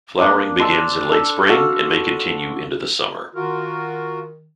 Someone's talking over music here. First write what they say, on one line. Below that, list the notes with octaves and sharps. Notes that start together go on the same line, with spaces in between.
Flowering begins in late spring and may continue into the summer.
A#3 D4 D#6
C5 A5 E6
A4
F#4 A4 F5
D#3 F4 F#4 A#4